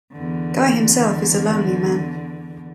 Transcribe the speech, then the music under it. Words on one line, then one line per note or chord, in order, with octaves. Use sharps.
Guy himself is a lonely man.
E2 D3